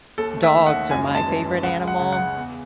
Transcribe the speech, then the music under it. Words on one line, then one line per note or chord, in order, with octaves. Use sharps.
dogs are my favorite animal,
D#2 A4
A3
E5
D#3
F#5
D#2
F#2 G#5
G#3
A5
E3
F#2
C#2 F#5
G#3
F#5
C#3
F#5
C#2
E2